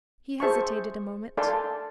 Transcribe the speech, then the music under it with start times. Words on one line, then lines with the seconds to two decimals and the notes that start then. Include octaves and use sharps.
He hesitated a moment.
0.40 G#4 C5 E5 A5 C#6
1.37 A4 D5 F5 G#5 C6